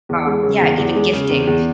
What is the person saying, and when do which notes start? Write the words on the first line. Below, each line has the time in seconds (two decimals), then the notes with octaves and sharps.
um yeah, even gifting,
0.09 E2
0.27 G#3
0.43 C#3
0.60 E2
0.78 E2
0.95 G#3
1.13 C#3
1.30 E2
1.47 E2